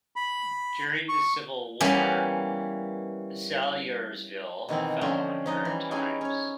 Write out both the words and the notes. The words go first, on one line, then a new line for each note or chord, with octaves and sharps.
During the Civil War, Salyersville fell on hard times.
B5
C#6
E3 G3 A#3 B3 C#4
B2 D#3 E3 C4
D3 F3 C#4 C5 D#5 G5
F3 D#4 D#5
E3 G3
C#4 D#4 E4 G#4 G#5
C#4 C#5